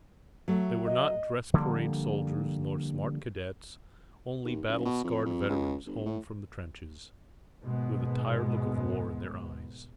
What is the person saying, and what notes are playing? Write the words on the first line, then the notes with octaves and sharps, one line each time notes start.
They were not dress parade soldiers nor smart cadets--only battle-scarred veterans home from the trenches, with the tired look of war in their eyes.
F#3 A3
D#5
D3 F3 G3 A#3
D#2
F#1
B2
F2
F2
C#2
G1
A2
D#2 G#2 B2 G#3 B3